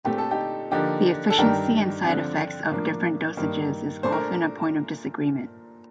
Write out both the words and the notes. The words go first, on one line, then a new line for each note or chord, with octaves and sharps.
The efficiency and side effects of different dosages is often a point of disagreement.
A#2 A3 C4 G4
A4
D#4 G4
D3 F3 A#3 D4 D#4 G4
A4
G2 D#3 G3 D4 G4 A#4
D3 F3 C4
A2 F3 A#3 D4
G2 D#3 A#3
A#2 A3 D4 C5
A#4